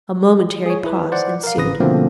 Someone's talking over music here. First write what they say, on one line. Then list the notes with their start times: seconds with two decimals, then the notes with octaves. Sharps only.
A momentary pause ensued.
0.66 G#4 C#5
0.84 E4 B4
1.12 C5 D5 F#5
1.44 A#4 F5
1.57 G#1 C#3 B4 D#6 A#6
1.80 B2 D3 F3 A3 A#3 C4